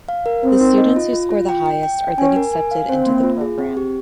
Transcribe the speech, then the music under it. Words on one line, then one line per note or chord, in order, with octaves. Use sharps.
The students who score the highest are then accepted into the program.
F5
A#4
C4 A#4
D#4
D#5
F4
F4
F4
G5
G5
G5
G5
C#4 G#5
A#4
G#5
F5
C4 C5
A#3
F4
G#4
C4
G4